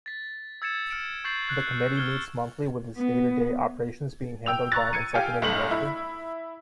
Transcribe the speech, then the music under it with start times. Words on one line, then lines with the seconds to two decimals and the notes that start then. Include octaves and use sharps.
The committee meets monthly with its day-to-day operations being handled by an executive director.
0.06 A6 B6
0.62 E6 G#6 A6 C#7 E7
0.90 F6 C#7 D7 E7
1.24 C#6 G6 A6 C7 F#7
1.47 F#6 G#6 C7
1.97 F6 G#6 G7
2.97 B3
4.46 G5 E6 F7
4.72 A#5 C#6 F#6 A6
4.93 G#6 C#7 D#7
5.14 G4 F5 G5 G#5
5.42 B1 G2 A3 F#7
5.71 E4